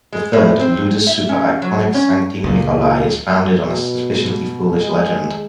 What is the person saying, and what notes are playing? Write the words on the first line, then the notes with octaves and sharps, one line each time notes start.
The third, "Ludus super iconic Sancti Nicholai", is founded on a sufficiently foolish legend.
G#3
A2
C4
E5
C#4
F#3
C#4
C#2 A#2
B2
G#3